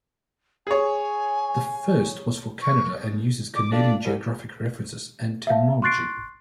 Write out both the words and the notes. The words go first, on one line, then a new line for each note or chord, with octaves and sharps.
The first was for Canada and uses Canadian geographic references and terminology.
G#4 C#5 G#5
C#6
D6
D4 F4 A4 D5
C2
E5 F5 A5
C6 C#6 F#6 A6 C7 D7